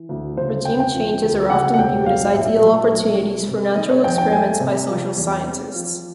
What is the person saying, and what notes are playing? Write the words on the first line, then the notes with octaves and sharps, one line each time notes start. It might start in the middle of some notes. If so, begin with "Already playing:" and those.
Regime changes are often viewed as ideal opportunities for natural experiments by social scientists.
Already playing: E3
D2
C#3 C5
E1 G5
G5
F3
D2
C#3 F#5
F#5
E1 G5
B1 F5
A#2 E5
F#3 E5
B1
G#3
C3
D#3 D#5
C#5
F2 G5
G5
A3 G#5
C3
F3
E2
C4
F3